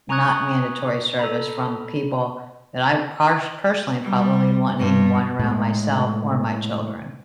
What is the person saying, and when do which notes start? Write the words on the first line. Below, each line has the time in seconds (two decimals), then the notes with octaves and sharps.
not mandatory service from people that I parsh personally probably wouldn't even want around myself or my children.
0.09 G#5 A#5 C#6 D#6 F#6 G#6
1.19 A4 A#5 B5
4.02 G3
4.79 G2
5.39 A2 G#3